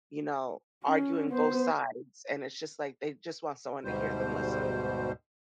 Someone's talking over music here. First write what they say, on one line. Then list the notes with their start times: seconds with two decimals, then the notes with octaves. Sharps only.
you know, arguing both sides, and it's just, like, they just want someone to hear them listen,
0.85 C#4
1.30 B3 C5
3.84 D2 G#2 B2 G3 C5